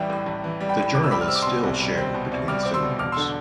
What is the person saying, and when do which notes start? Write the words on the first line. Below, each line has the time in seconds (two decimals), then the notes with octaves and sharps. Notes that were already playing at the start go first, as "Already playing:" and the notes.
The journal is still shared between cylinders.
Already playing: A1 E3 G3 E5 G5
0.10 A2
0.26 A1
0.44 E3
0.60 G3
0.69 G5 B5
0.78 A2
0.95 C2 D6
1.03 E6
1.11 G3 B5 D6
1.21 F6
1.28 C4 E6
1.36 D6
1.42 B2 C6 E6
1.63 C2
1.80 G3
1.98 C4
2.14 B2
2.32 C2
2.48 G3 D6 F6
2.63 C4 D6
2.74 C6 E6
2.83 B2
2.99 E1 D6 F6
3.12 D3 C6 E6